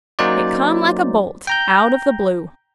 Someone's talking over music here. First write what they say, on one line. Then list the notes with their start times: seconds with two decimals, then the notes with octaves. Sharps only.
It come like a bolt out of the blue.
0.19 F#3 A#3 C#4 D#4 C5 D5
1.47 G5 A#5 G6